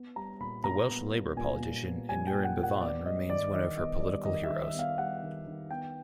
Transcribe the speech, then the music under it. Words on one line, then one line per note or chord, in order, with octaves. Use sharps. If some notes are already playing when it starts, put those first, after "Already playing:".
The Welsh Labour politician Aneurin Bevan remains one of her political heroes.
Already playing: B3
G3 A#5
A#2 B5
A#2 A#5
B3
G3
A#2 G#5
A#2
B3
G3 G#5
G5
A#2
F#5
A#2
F#5
B3 D5
G3 D#5
D#3 D5
D#3 D#5
B3 D#5
G3 D5
D#3 D#5
E5
D#3
E5
B3
F5
G3 F#5
D#3
D#3
B3 G5